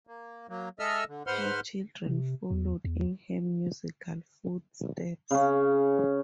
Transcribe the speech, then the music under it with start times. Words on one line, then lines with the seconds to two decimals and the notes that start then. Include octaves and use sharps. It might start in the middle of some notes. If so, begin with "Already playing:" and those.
Her children followed in her musical footsteps.
0.07 A#3
0.49 F#3 A#3
0.79 G#3 A4 D#5 E5 E6 F6
1.08 D3
1.27 G#2 B4 C5 F#5 C6 F6
2.06 C3
2.51 E2
2.84 E2
5.31 C#3 C#4